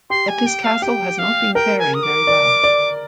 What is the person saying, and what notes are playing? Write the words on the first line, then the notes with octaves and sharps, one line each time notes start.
Yet this castle has not been faring very well.
G4 C6
G#5
G5
F5
G4 G5
F5
A#4 G5
G#5
D#6
D6
D5
D5